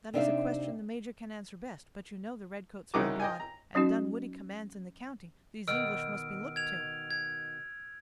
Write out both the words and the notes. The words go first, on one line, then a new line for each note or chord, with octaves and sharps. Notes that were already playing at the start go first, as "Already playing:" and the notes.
"That is a question the major can answer best; but you know the redcoats are abroad, and Dunwoodie commands in the county; these English must be looked to."
C3 C4 D4 D#4 E5 F5
C2 C#3 D#4 F#4 A#4 D6
D#5 G5 G#5
A#5
F#3 C#4 D#4 F#4
B2 D#3 E6 F6 D7
G#6 F7
G#6